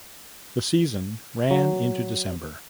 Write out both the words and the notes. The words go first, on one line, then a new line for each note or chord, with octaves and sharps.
The season ran into December.
F#3